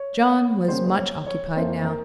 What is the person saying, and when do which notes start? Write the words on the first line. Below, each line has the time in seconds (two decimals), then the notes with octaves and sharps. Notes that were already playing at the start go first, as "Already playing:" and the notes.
John was much occupied now.
Already playing: C#5
0.68 C#3 G3 A#3 C#4 C5
0.86 C5
0.97 C#5
1.26 C#5
1.56 F2 E3 A#3 E4 C5
1.85 A#4